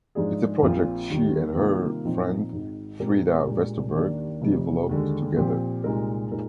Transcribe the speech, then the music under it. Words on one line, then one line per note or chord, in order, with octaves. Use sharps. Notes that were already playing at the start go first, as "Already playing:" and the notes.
It's a project she and her friend Frida Vesterberg developed together.
G#2 F3 G#3 D4 G#4
A#1 A#2 F3 C4 F4
D#2 D#3 G3
C3 D#3 G3 A#3 F4
A#2 F3 C4 D#4
G#1 G#2 D#3
A#2 G#3 C4 G4 A#4
A#2 G#3 D4 G4 A#4
D#2 D#3 A#3 D4 G4
F1 F2 C3
D#2 D3 G#3
A#2 F3 C4 G4
C2 A#2 G#3 D#4 A#4
A#2 G#3 D#4 A#4